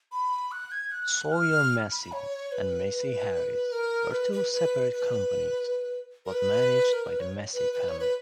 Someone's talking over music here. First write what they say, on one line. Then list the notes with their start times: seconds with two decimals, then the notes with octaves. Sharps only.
Sawyer-Massey and Massey-Harris were two separate companies, both managed by the Massey family.
0.12 B5
0.52 F#6
0.72 G#6
0.91 F#6
1.32 F6
1.92 B5
2.12 C#5
2.52 B4
3.72 A#4
4.12 B4
4.32 B4
4.52 B4
4.92 B4
6.26 A#4
6.33 B4
6.93 A#4
7.07 B4
7.20 C#5
7.53 B4
7.73 B4
7.89 C#5
7.99 B4